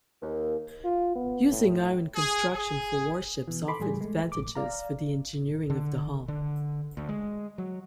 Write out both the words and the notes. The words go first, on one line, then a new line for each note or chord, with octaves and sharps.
Using iron construction for warships offered advantages for the engineering of the hull.
D#2
F4
B3
A2
G#4
G#4
B2 E3
A4 B5 C6 D6
A2 E3 G3 G#4
G#3 A3
A1 D6
D5 F5 A#5
D3
D3
D2
G#3
F#3